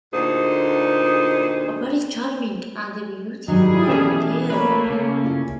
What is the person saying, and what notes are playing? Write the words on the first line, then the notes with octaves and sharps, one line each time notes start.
A very charming and beautiful girl.
D2 A#2 D3 D#4 G#4 C5
G#2 D#3 F#3 G3 G#4
B2 E3 C#4 A4 E5 F6
A3 A#3 B4 C#5 B5
C#3 C#4
E4 F4 D5